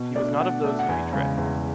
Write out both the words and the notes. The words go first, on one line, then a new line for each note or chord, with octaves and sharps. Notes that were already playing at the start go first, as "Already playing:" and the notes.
He was not of those who betray.
Already playing: B2
A3 D4 D5
B2 F#5
A3 D4
F#5
E2 G#5
C#3 G#3
E2